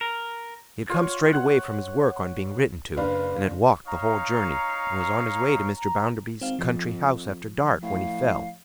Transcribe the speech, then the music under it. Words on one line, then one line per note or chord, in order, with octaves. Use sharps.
He had come straight away from his work, on being written to, and had walked the whole journey; and was on his way to Mr. Bounderby’s country house after dark, when he fell.
A#4
F4 C#5
F#5
F#1 D4 B4 F5
D#4 C#5 F5 A#5
G#1 C4 F5
F2 F3
A2 F5